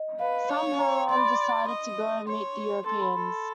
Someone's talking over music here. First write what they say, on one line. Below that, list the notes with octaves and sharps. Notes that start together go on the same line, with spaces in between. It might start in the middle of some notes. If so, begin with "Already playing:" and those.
Some Huron decided to go and meet the Europeans.
Already playing: D#5
B4 F5
C#5
A#5
D5 C6
B5
C6
D#5
C#5 C6
A4 C6
B5
A4